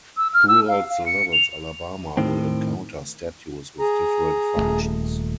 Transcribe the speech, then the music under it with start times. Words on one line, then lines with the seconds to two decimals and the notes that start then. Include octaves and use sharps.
Throughout the levels Alabama will encounter statues with different functions.
0.17 E6
0.34 F6
0.48 E6
0.68 F5
0.90 F5
1.06 C#7
1.33 F7
2.17 A2 D#3 C4
3.79 G#4 A#5
4.57 D#1 C#2 A3